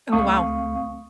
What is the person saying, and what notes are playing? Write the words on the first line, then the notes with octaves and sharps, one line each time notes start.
Oh, wow.
C#2 A3 C4 F5 C#6 D#6